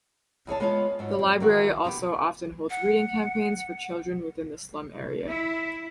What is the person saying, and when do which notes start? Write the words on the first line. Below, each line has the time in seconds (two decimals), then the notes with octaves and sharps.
The library also often holds reading campaigns for children within the slum area.
0.47 E2 G#4 C#5 A5
0.60 G#3 B3 F4 C#5 F5
0.99 G#2 F#3
1.19 F2
1.40 D#3 E3 F#4
1.84 B2 B3 F#4 G4
2.70 F#5
5.29 E4